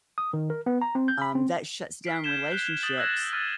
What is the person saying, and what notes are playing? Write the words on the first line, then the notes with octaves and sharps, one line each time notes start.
Um, that shuts down relationships
D#6
D#3
A#4
B3
A#5
C4
G6
B5
C4
F6 B6 C7 D7
G6 G#6 B6 E7 G7
F#6 F7
D#6 A6 F#7 G7
E6 F#6 G#6 A#6 E7
D#6 F6 F#6 A6 D#7 F#7